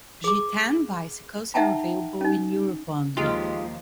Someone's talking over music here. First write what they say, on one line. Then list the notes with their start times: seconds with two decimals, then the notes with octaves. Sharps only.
Gitane bicycles are available in Europe only.
0.24 G#4 D6
1.54 D#4 E5 F#5 G5 A5 A#5
2.21 C#4 D#4
3.17 D#2 F3 G#3 D#4 F4 G4